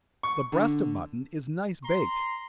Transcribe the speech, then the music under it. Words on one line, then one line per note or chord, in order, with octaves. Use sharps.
The breast of mutton is nice baked.
C#6
D3
A#5 C6